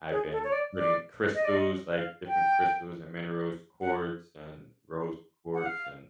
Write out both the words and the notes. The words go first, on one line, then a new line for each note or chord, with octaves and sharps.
I've been putting crystals, like, different crystals and minerals, quartz, and rose quartz, and,
G#4
A4
C#5
D5
D5
D#5
D5
D#5
F5
G5
F#5
F#5
F5